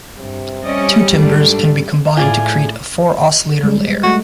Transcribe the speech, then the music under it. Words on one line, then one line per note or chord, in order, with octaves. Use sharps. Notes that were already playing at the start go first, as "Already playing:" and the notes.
Two timbres can be combined to create a four-oscillator "layer".
G2 C3
G3 C#4 D5 D#5
G#2 A3 D4 A4
A2 F4 G#4 D5 G#5
G3 G#3
G3 A3 F#4